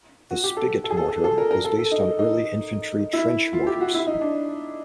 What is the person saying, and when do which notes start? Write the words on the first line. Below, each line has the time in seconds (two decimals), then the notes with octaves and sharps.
The spigot mortar was based on early infantry trench mortars.
0.31 F#4
0.44 G4
0.57 A4
0.84 A4
0.90 G#4
0.97 A4
1.11 A4
1.24 A4
1.38 A#4
1.51 A#4
1.65 A4
1.78 A4
1.91 D#4
2.19 D#4
3.13 E4
3.53 F4
3.67 G4
3.81 F#4
3.94 E4
4.07 D#4
4.21 D4